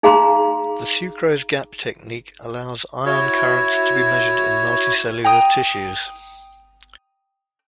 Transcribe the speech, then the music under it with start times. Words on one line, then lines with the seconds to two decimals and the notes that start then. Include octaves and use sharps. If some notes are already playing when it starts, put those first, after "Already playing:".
The sucrose gap technique allows ion currents to be measured in multicellular tissues.
0.03 D#4 G#4 F5 A#5 C6
3.06 E4 F#4 C#5
5.24 G5 A#5 D#6